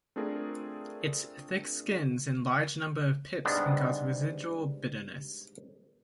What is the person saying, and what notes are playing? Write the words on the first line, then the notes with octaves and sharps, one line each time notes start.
Its thick skins and large number of pips can cause residual bitterness.
A3 C4 D4 F4 G#4 A#4
G#2 C3 G3 G#3 B3 D4